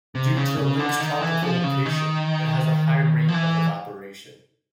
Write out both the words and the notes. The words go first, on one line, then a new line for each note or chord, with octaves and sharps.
Due to the lake's tropical location, it has a high rate of evaporation.
C3
C#3
C#3
D3
D#3
E3
F3
C#3
D#3
F3
E3